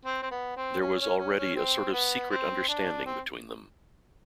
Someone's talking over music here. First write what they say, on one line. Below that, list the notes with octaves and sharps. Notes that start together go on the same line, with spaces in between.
There was already a sort of secret understanding between them.
C4
C4
B3
C4
C#4
C#4
C#4
C#4
C4
B3
C4
D4
C4